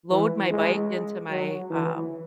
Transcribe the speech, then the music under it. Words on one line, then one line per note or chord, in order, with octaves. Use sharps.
load my bike into my, um,
E3
G#3
F#3
E3